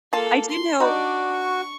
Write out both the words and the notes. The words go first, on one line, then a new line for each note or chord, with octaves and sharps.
I do know
A#3 F4 A4 A5
C6
D4 D#4 F#4 D5
C#6